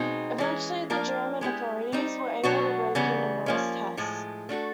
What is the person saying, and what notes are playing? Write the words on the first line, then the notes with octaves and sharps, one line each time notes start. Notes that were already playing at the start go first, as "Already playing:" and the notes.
Eventually, the German authorities were able to break in and arrest Hess.
Already playing: B2 G#3 C4 D#4
E3 G#3 C#4
F3 A#3 D4 F4 A#4
G#3 B3 E4 G4
G3 C4 D#4
B2 F#3 B3 D4 F#4
C#3 E3 G3 B3
F3 A#3 C#4
A2 F3 G#3
A3 D4 F#4 A4